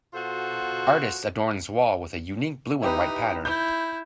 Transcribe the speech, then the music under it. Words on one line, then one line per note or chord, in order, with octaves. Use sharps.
Artist adorns wall with a unique blue and white pattern.
B2 F4 F#4 A4 C5
D#4 E4 G4 B4
E4 G6